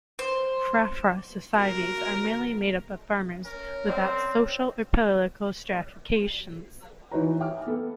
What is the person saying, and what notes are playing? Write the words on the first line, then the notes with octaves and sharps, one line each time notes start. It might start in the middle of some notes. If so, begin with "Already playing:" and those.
Frafra societies are mainly made up of farmers, without social or political stratification.
C5
F#4 A#4
C#4 A#4
C4 C5 D5 G5
E3 D#4 F#4 B4 C#5 A#5
E5 G5 G#5 D6 D#6 F6
B3 A4